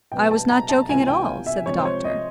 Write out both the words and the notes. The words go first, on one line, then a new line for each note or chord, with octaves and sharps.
"I was not joking at all," said the doctor.
B2 F#3 B3 G5
A5
A#5
A5
C#2 C3 E3 G#3 B3 G#5
G5
F5
E5
C3 F3 G#3 C4 C#5
C5
C#5
D#5